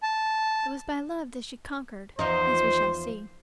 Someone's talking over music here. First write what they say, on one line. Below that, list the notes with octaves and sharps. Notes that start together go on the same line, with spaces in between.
It was by love that she "conquered"--as we shall see!
A5
E2 F3 D#4 C5